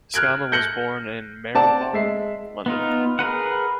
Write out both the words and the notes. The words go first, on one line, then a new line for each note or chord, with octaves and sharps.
Schama was born in Marylebone, London.
F6 F#6 G#6 D7
F#6 G6 A#6 C#7 F#7 G7
C4 D5 F#5 A5
G#3 E5 C7
B3 D#4 F4
G#4 A#4 B4 F#5